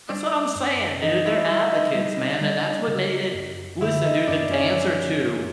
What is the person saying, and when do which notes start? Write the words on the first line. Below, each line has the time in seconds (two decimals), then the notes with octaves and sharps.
That's what I'm saying, dude. They're advocates, man. And that's what made it listen, dude, the dancer too,
0.09 G3 D4
0.55 F#2
1.02 E3 D#4
1.26 E4
1.48 G3 E4
1.71 D#4
1.95 G3 D#4
2.41 G3 D#4
2.87 C#3
3.34 F#2
3.81 D3 E4
4.04 D#4
4.28 F#2 D4
4.51 C#4
4.74 F3
5.21 F#2